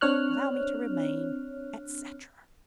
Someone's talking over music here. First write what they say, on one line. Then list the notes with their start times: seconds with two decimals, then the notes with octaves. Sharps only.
Allow me to remain, etc.
0.01 C4 D4 C#5 F6 F#6